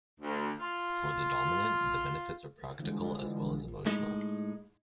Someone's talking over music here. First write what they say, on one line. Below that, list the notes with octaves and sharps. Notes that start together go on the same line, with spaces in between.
For the dominant, the benefits are practical as well as emotional.
D2
F4
D3 E3 F3 G3 G#3
A2 G#3 D#4